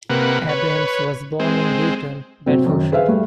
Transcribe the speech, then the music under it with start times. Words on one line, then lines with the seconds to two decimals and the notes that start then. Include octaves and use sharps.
Abrahams was born in Luton, Bedfordshire.
0.10 C3 A#3 B4 F#5
0.49 B4 C#5
1.40 G#3 C4
2.46 C3 F#3 C4
2.66 F#2 D#3
2.92 G#4 B4 C5 E5 F5
3.08 G3 A3